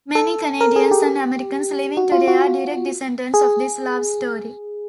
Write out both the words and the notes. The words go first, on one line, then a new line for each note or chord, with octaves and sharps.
Many Canadians and Americans living today are direct descendants of this love story.
A4
A#4
G#4
G4
F#4
F4
F#4
G#4